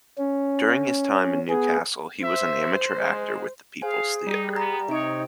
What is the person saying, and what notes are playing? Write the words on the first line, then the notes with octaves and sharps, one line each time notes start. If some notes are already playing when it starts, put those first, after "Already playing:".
During his time in Newcastle he was an amateur actor with the People's Theatre.
C#4
B3 G#4
C5 E5
G#3
G#4 C5 F5 G#5
G3 D#4
B3 A#5
C3 D#4 G4 C#5 D7